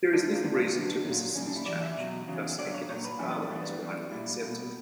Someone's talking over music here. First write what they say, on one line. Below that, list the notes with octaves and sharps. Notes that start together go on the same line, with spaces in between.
There is little reason to resist this change, thus "Echinosepala" is widely accepted.
F#2 D3 G3 D4
A#3
G2 D3 G3 B3
A#3
B3
F#2 D3 G3 B3
A#2 F#3
F#2 C#3 G3 C#4
D4
E4
F#2 E3 G3 D5
E5
B2 F#3
E2 C#3 F#3
G2 D3 F#3 D5
C#5
A#2 F#3 C#5
B4
F#2 E3 G3 C#4
B3
G2 E3 G3 B3
B3
B3
F#2 E3 G3
A#2 G3 E4
B2 G3